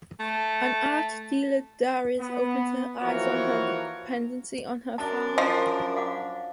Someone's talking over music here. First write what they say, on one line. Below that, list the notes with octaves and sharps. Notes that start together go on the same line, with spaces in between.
An art dealer Darius opens her eyes on her dependency on her father.
A3
B3
E3 F3 A#3 F#4 A#4 C#5
F#2 D4 A#4 A5
F3 D#5 F5
F5 F#5 D6